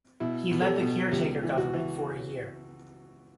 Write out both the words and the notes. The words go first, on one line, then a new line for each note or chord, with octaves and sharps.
He led the caretaker government for a year.
B2 E4
B2
A4
G4
B2
C#2 G4
E3
F#4
E3